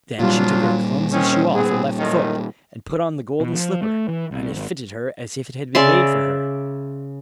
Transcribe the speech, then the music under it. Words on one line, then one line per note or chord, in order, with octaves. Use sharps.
Then she took her clumsy shoe off her left foot, and put on the golden slipper; and it fitted her as if it had been made for her.
A#2 F#3 G3 D4 F4
D#3 C4 C#4
B3 C4 G#4
F#2 A2 D#3
B2
F3
A3
E3
C2
G#1
C#3 D5 E5 C6